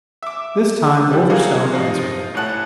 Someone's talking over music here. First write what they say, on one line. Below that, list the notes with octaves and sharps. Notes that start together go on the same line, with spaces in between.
This time Wolverstone answered him.
E5 D6
G3 E4 G4
F#3 A#3 F4 G#4
C3 F3 D#4
A1 A2 C#5 F#5 A5